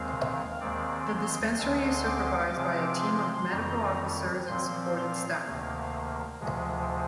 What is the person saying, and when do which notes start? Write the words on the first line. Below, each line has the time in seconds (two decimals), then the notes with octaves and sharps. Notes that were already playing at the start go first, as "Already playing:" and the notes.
The dispensary is supervised by a team of Medical Officers and supported staff.
Already playing: D#2 D#3 G#3 C4 F5
0.61 D#2 D#3 G#3 C4 D5
1.09 C6
1.57 D2 D3 G#3 C4
2.06 D6
2.54 C3 F3 G#3 C4 D6
3.03 C6
3.50 F2 D#3 G3 A#5
4.48 A#2 F3 C4 C6
4.96 F5
5.44 D2 C3 D#3 A#3
6.41 D2 C3 F3 G#3